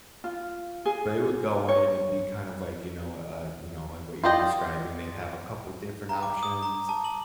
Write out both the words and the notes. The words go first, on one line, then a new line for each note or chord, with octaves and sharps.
But it would go in and be kind of like, you know, uh, you know, like what you were describing. They'd have a couple different options.
F4
G#4
C#5
F4 G4 D5 D#5 G5
A#5
D6
D#6
A#5
A5
F#7